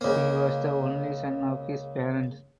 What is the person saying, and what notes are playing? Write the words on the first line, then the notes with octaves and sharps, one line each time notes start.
He was the only son of his parents.
C#2 A#3